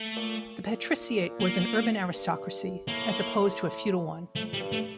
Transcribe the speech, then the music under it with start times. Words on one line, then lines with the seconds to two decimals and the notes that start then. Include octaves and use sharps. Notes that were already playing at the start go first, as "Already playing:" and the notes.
The patriciate was an urban aristocracy, as opposed to a feudal one.
Already playing: A3
0.16 A#2
0.66 A#2
1.40 A#3
2.13 G2
2.87 A2 A#3
4.36 F2 A3
4.53 G3
4.60 G2
4.72 A3